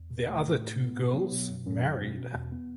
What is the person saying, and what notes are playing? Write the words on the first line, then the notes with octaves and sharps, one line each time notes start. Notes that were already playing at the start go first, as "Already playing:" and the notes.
The other two girls married.
Already playing: E2
B2
A3
A2
A2
B3
B3
F#3
B2
F#2
F#2
C#4
B2
B2
E2
B3